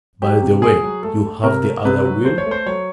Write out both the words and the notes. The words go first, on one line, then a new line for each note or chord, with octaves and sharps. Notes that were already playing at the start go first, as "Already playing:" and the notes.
"By the way, you have the other will?"
F#3 G4
C3
A3 G#4
F#3
A3 A4
A3
C3 A#4
A3
C3 B4
F#3
A3 C5
C#5
A3
C5
F#3 C#5